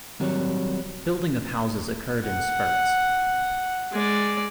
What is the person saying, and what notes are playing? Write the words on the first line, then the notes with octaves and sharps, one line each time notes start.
Building of houses occurred in spurts.
D#3 F#3 G3 C4 F#4 C#5
F#5
G#3 D5